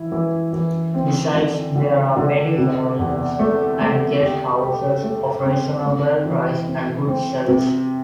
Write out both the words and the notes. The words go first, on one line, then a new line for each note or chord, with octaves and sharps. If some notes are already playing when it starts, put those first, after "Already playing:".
Besides, there are many motels and guest-houses of reasonable price and good service.
Already playing: E3 E4
E3
E3
C4
D3
D3
D3
C3
E2
A3
A3
G4
G4
A3
C4
A3
E3
C4
C4
C3